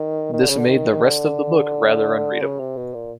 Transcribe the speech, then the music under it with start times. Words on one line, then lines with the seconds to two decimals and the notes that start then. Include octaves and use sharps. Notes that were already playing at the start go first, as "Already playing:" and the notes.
This made the rest of the book rather unreadable.
Already playing: D#3
0.33 D#3
0.41 D3
0.50 C#3
0.58 D3
0.68 D#3
0.92 D#3
1.03 D3
2.42 C#3
2.59 C3
2.76 B2
2.94 A#2